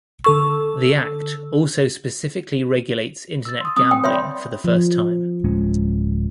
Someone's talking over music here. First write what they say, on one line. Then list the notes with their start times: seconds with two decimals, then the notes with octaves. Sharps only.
The Act also specifically regulates Internet gambling for the first time.
0.24 D3 A4 C#6 E6
3.45 E6 A6
3.60 C6 D#6
3.77 C4 D#6
3.91 G5
4.04 C#5 D5 E5 G5 B5 C6
4.64 F3
5.44 D1 G#3 C#4